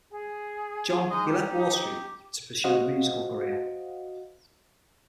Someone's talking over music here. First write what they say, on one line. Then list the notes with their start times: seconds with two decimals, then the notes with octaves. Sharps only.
John he left Wall Street to pursue a musical career.
0.11 G#4
1.10 G#3 D#4 D#5
1.26 G4
2.64 F#4 C5 D#5 F5 F#5